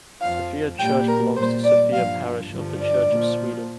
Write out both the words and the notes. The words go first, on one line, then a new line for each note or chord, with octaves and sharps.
Sofia church belongs to Sofia parish of the Church of Sweden.
F2 F3 F5
A#2 G3 G5
A#4
A#2 G3 C5
D5
G2 F3 F5
G2 D3 F3
D5
A#2 F3